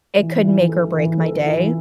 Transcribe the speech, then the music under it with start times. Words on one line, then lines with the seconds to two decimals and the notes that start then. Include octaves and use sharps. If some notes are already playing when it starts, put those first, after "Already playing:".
it could make or break my day.
0.18 E3
0.44 E3
0.69 A4
0.94 E3
1.20 A4
1.46 E3